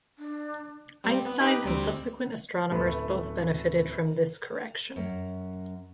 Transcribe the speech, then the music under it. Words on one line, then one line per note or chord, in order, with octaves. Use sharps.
Einstein and subsequent astronomers both benefitted from this correction.
D4
G3 C4
B3
D#4 G4 B4
D2 G3 C4
D1 F#2 A3 B4 E5 B5
F#2